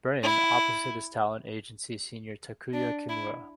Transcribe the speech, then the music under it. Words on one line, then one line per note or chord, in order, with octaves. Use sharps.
Brain, opposite his talent agency senior Takuya Kimura.
E4
D4
E4